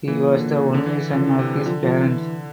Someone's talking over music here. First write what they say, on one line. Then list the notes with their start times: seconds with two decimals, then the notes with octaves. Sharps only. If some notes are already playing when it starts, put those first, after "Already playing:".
He was the only son of his parents.
0.08 A#2 E3
0.34 D3
0.74 D3
0.86 E3
1.13 D3 F3
1.26 E3
1.39 C3
1.65 D3 F3
1.82 F3
2.05 E3